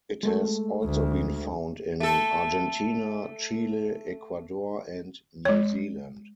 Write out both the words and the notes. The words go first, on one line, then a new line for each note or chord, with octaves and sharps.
It has also been found in Argentina, Chile, Ecuador, and New Zealand.
G#3 A3 A4
D2
A3 A4
G#3 C#5